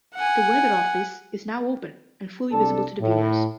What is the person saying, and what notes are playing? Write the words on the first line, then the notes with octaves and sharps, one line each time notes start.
The weather office is now open and fully visible to the viewers.
F#5 G#5
C2 D4 A4 A5
A2